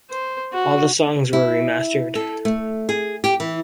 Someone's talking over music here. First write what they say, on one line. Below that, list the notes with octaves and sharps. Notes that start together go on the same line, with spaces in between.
All the songs were remastered.
C5
F#4
E4
A4
A3
G#4
G4
E3